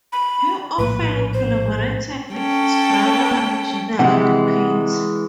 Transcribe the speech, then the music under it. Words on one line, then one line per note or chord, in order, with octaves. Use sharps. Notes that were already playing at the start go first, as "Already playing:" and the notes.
He often collaborated with his brother, Reginald Pitt.
B5
A#1 A2 A#3 B4
C5
C#4 A4 G5
C3 E3 G#3 F#5